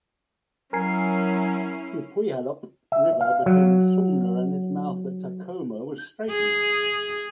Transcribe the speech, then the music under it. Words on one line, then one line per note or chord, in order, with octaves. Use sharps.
The Puyallup River between Sumner and its mouth at Tacoma was straightened.
F#3 C#4 E4 A#4 G#5 C7
E5
F5
F#3
G#4